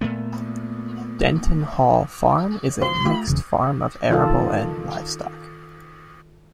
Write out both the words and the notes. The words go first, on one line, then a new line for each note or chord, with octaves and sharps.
Denton Hall Farm is a mixed farm of arable and livestock.
A#2 A3 B3
B2 F3 C4
A3 F4 G4 E5
E1 C#3 E3
D#3 F4 A4